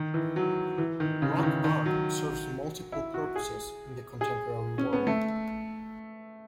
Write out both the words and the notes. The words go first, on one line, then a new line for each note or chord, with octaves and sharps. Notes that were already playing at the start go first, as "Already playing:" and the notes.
Rock art serves multiple purposes in the contemporary world.
Already playing: D#3
E3
F#3
E3
D#3
C#3
E3
D#3
D#3
F#3
E4
F#4
G#4
G#4
C#4
B3
A3